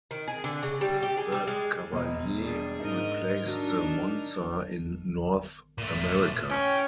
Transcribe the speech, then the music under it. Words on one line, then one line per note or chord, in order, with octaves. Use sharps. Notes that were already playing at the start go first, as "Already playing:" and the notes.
The Cavalier replaced the Monza in North America.
D#3
G#4
D3
C#3
G3
G4
G#4
G3
G#3
E1 D#5
G3 D4 G#4
G#2 D#4 A#4 D#5
F#3 D4 D#4 A#4
A#2 A3
C#4 G5